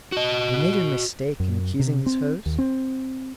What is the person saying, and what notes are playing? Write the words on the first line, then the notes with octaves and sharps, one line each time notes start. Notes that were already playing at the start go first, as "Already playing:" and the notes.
Had he made a mistake in accusing his host?
F#4 D#5
F#2
C3
C4
D#2
C4